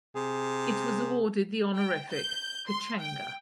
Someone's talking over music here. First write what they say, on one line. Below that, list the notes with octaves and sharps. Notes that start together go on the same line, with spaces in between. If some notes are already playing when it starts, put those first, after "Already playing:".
It was awarded the honorific "Pechenga".
C3 G#4
G5
G6
C6
G5